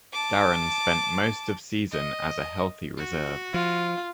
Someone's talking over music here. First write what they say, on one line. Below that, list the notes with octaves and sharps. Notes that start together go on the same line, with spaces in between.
Darren spent most of season as a healthy reserve.
A5 D6
D#5
F#4
F3 F4